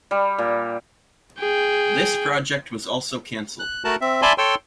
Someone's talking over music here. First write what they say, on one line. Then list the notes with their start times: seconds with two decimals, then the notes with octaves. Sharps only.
This project was also cancelled.
0.11 G3
0.38 A#2
1.40 G#4 G5
3.59 F#6
3.85 A3 F#4 A#4 A5 F#6
4.01 C4 E5
4.22 D5 E5 G#5 A5 B5 C6
4.38 A4 C#5 G5 C6 E6